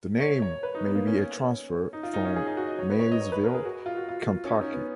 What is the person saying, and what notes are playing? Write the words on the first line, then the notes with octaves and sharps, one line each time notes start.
The name may be a transfer from Maysville, Kentucky.
C#5
C#5
B4
D#4
B3
A#3
C#4
D#4
F4
D#4
C#4
G#4
D#4
F#4
D#5
C#5
B4
C#5
D#5
C#5
B4
A#4
G#4
F#4
F4
F#4
F4
C#4
D#4
C#4
B3